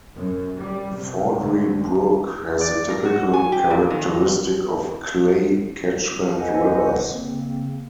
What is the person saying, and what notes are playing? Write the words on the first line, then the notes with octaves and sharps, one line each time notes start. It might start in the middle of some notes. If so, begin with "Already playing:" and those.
Foudry Brook has the typical characteristic of clay catchment rivers.
F#2
G3
C3
D2
D5
A#4
F#4
G#5
G4
A#2
D#3
A4 B4 C5 D#5 F#5 G#5
C#3 A#3 C4